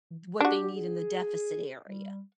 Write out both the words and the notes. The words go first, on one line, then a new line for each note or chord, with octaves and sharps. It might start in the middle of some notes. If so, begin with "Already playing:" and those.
what they need in the deficit area.
D4 F#4 G4
G#4
G3